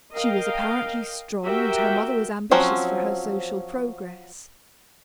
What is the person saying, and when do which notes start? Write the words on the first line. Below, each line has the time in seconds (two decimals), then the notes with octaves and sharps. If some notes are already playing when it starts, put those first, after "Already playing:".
She was apparently strong and her mother was ambitious for her social progress.
0.13 A#4 D#5 F5 G5
1.43 F#4 G4 A#4 E5 G5
2.51 F3 F#3 C4 C#4